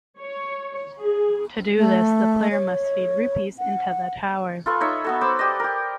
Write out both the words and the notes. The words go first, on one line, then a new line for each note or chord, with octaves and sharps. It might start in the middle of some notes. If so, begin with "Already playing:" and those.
To do this, the player must feed Rupees into the tower.
C#5
G#4
A3
C#5
F#5
F4 A4 B4 C#6
D#4 C#5 E5
B3 F#4 A4
B4 C5 D6 E6
G4 D5 D#5
G4 A#4